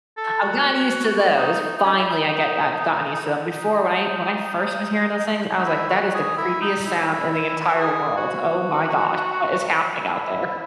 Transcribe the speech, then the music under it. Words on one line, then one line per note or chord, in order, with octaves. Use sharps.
I've gotten used to those. Finally, I get I've gotten used to them. Before, when I when I first was hearing those things, I was like, "That is the creepiest sound in the entire world. Oh my gosh, what is happening out there?"
A4
F#4
D#4
D#4
D#4
C#4
E4
D#4
D#4
D#4
E4
F#4
G#4
E4
D#4
E4
F#4
G#4
F#4
E4